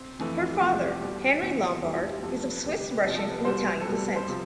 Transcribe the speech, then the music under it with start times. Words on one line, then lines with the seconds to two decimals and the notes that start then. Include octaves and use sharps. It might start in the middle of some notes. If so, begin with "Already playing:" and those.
Her father, Henri Lombard, is of Swiss-Russian and Italian descent.
Already playing: C4
0.19 F2 E3 A3
0.51 G4
0.60 F2 C3 F3 A3 F4
0.73 G4
0.87 G4
1.01 C2 B2 G3
1.41 E1 E2 C3 E3
1.82 F1 E2 B2 G3 A4
1.96 F4
2.09 G4
2.22 C2 C3 F3 A3 A4
2.36 B4
2.50 B4
2.63 D2 C3 G3 B4
2.77 G4
2.91 B4
3.04 C2 C3 F3 B4
3.17 A4
3.31 B4
3.45 C2 B2 G3 C5
3.80 A4
3.85 C2 B2 G3 B4
3.96 A4
4.06 B4
4.16 C5
4.28 C3 F3